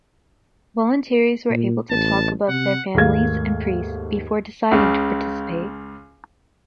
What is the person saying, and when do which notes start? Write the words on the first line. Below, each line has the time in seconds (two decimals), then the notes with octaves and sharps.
Voluntaries were able to talk about with their families and priests before deciding to participate.
1.50 A#2
1.90 A1 A5
2.48 C3 F#5
2.94 D#2 G#2 A3 A#3 F5 G#6
4.71 C#2 C#3